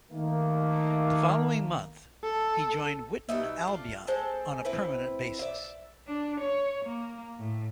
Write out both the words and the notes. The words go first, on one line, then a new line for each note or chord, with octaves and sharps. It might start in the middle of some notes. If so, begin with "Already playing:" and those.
The following month he joined Witton Albion on a permanent basis.
D#3 A3 A#3
A4
B2 G3 D#4 E5
A3 F4 D5
G#3 C4 A4 A5
C4 E4 B4
D5 E5
D4
C#5
A#3
A2